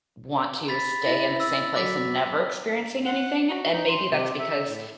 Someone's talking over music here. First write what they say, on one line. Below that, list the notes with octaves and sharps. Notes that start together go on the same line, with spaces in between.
want to stay in the same place and never experiencing anything, and maybe that's because
B5 A6 B6
E4 A#6
E6 A6
F#3 D6 B6
F#5
F#4
D#4
C6
C3
E5
A2